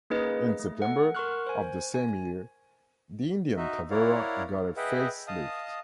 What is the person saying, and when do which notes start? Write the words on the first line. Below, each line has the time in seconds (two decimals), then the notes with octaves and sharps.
In September of the same year, the Indian Tavera got a facelift.
0.10 A#3 C#4 D#4 G#4 B4 D#5
0.59 A3
0.80 A4 F#5
1.15 A#4 F#5 C6 C#6 F6 F#6
1.47 C5 G#5
1.94 G#5
3.57 D#4 F#4 D#5 E5
3.90 E4 A#4 C#5 D5 F5 F#5
4.77 G#4 B4 D#5 E5 F#5 G5
5.28 D#5 F5 A5 D#6